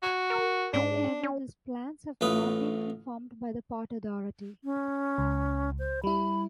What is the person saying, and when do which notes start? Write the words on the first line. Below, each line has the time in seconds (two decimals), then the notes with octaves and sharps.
However, these plans have not been confirmed by the Port Authority.
0.02 F#4
0.30 A#4
0.73 G#2 D4
1.23 C#4
2.21 A1 A2 F4 B4 D#6
4.64 C#4
5.18 C#2
5.79 C5
6.04 G3 E4 B5